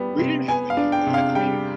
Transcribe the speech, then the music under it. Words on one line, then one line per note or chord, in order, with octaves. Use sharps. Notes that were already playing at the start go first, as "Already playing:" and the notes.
We didn't have any of that. I mean,
Already playing: G3 B3
C3
B3 G#5
F5
D4
G5
C3
F5
G3 G5